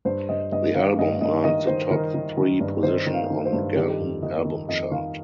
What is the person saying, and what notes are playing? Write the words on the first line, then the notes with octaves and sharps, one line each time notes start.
The album earned the top three position on Gaon Album Chart.
G2 C5
G2 D#5
G2 D#5
D#3 F5
G2 D#5
G2 D#5
D#3 D#5
D#3 C5
D#3 A#4
D#3
D#3
G2
D#3 C5
D#3
F5
D#3
C5
G2
D#3 G4
F2
D#3 D#5
D#3
F2 D#5
D#3 F5